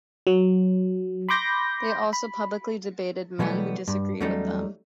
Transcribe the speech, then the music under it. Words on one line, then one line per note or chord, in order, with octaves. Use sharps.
They also publicly debated men who disagreed with them.
F#3
B5 C6 D6 G6 A#6
B5
B2 E3 F#3 G3 A3 B3
G2
E2 F#3 G3 A3 C#4 D#4